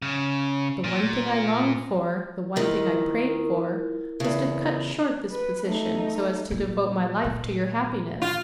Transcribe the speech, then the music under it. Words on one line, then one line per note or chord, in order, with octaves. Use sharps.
"The one thing I longed for, the one thing I prayed for, was to cut short this position, so as to devote my life to your happiness."
C#3
A#2
D#2 D#3 E4 F4 A#4
E2 C#3
B4
A3 D#4
A#2
A#2 D#3
F4